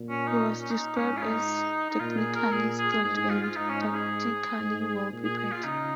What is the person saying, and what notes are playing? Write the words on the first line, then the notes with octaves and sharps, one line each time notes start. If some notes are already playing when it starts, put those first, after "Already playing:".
He was described as "technically skilled and tactically well prepared".
Already playing: A#2
C#4
D#4
C#4
D#4
G#2 C#4
F4
D#4
D#4
A#2 F4
G#4
A#4
A#2 G#4
G#4
G#4
G#2 G#4
G#4
F4
F4
G#2 D#4
C#4
D#4
G#4
G#2
A#2
G#4
G#4
F4
C#3 D#4